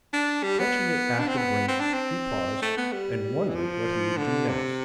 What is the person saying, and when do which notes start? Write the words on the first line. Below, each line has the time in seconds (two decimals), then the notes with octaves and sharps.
Clutching it at the brink, he paused, and wondered what he would do next.
0.13 D4
0.43 G3
0.59 B3
1.19 D4
1.28 C4
1.37 B3
1.68 C4
1.80 D4
1.93 C4
2.62 A3
2.77 B3
2.92 G3
3.49 E3
3.55 F3
4.17 D3
4.48 C3